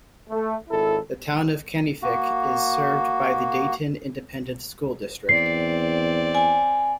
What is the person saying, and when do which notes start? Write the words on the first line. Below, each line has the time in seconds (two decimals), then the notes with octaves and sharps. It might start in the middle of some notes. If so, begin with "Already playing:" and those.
The Town of Kenefick is served by the Dayton Independent School District.
0.30 A3
0.69 G#1 E4 A4
2.02 A#3 F#4
5.29 E2 C4 D5 C7
6.35 G#5